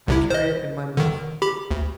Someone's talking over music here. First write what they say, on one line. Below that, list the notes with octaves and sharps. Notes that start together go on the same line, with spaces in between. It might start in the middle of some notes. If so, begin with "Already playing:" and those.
I carry it in my muff.
C2 C3 E4
C5 D#5
D3 D#3
G4 B5
D2